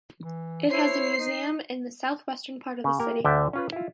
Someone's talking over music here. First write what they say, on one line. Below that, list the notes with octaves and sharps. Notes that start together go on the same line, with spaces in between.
It has a museum in the southwestern part of the city.
E3
E4 C5 C#5 C7
D#4
C#3
A#3 G4 A#4
D2 D3 D5 E5 G5
C#4 F4 B4
E4 F4